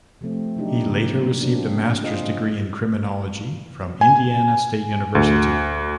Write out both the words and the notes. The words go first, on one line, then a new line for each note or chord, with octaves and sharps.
He later received a master's degree in criminology from Indiana State University.
C3 F3 A3 C4
C3 F#3 D4 D#4 G4
A#2 C#3 F3 A#3
A#3 C4 D4
G#3 D4 F4 G#4 C5 D#5
G#5
D2